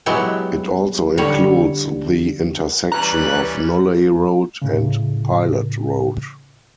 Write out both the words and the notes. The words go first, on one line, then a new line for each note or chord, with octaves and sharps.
It also includes the intersection of Nolley Road and Pilot Road.
F#3 G#3 B3 E4 G4
D3 G3 C#5
E3 G3 C#4 B4 A#5 F#6
A2 C#3